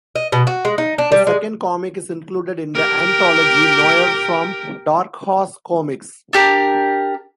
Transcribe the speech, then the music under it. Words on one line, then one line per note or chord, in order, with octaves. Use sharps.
A second comic is included in the anthology "Noir", from Dark Horse Comics.
D#5
B2
F#4
G#3
D#4
D4
G3
G#3
G4 A#4
D4 G4 A#4